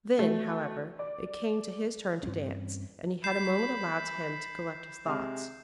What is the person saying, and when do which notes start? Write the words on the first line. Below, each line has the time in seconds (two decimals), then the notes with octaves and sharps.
Then, however, it came to his turn to dance, and he had a moment allowed to him to collect his thoughts.
0.19 A3 F#4
0.99 D5
2.23 G2 E3 C4 C#4
3.24 B5 G6 C7 E7
5.06 C3 G#3 F6